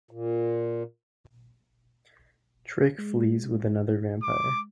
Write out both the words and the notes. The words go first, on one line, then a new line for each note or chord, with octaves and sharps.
Trick flees with another vampire.
A#2
G#3
D6